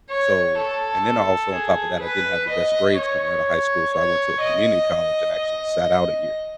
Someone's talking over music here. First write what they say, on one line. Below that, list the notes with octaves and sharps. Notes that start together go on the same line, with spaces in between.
so and then I also, on top of that, I didn't have the best grades coming out of high school, so, I went to a community college and actually sat out a year
C#5
A4
G#4
B4
D#5
C#5
C#5
D#5
D#5